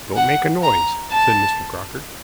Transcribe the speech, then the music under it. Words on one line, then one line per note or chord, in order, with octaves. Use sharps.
"Don't make a noise," said Mr. Crocker.
F#5
A#5
A5